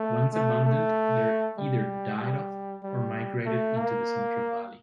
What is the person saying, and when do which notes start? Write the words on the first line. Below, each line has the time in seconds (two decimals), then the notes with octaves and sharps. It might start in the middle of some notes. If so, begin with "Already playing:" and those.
Once abundant, they either died off or migrated into the Central Valley.
Already playing: A3
0.33 A3
0.65 A3
1.58 G3
2.20 G3
2.83 G3
3.46 A3
3.76 A#3